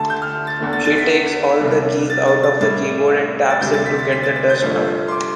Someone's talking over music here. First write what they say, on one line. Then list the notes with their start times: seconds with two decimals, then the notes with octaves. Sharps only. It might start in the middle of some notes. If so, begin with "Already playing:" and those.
She takes all the keys out of the keyboard and taps it to get the dust out.
Already playing: D2 D3 A3 A5
0.10 G6
0.22 F6
0.47 A6
0.59 E2 D3 A3
0.73 A6
0.85 A6
0.98 B6
1.60 C2 C3 G3
2.10 A6
2.28 A6
2.43 A6
2.60 A2 G3 A6
3.50 A6
3.61 D2 C3 G3 G6
3.73 A6
3.86 B6
3.99 A6
4.12 B6
4.23 A6
4.36 A6
4.50 G6
4.62 G2 F3 A3
5.08 C6
5.11 D6